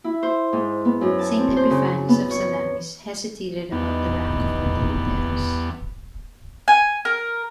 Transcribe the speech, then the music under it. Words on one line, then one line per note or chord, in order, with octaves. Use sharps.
Saint Epiphanius of Salamis hesitated about the rank of the deuteros.
E4
C5
G#2
B3
F#2
A5
C4
C5
C#3
B3
C#5
E2 G3 B3 D#4
G#5
A#4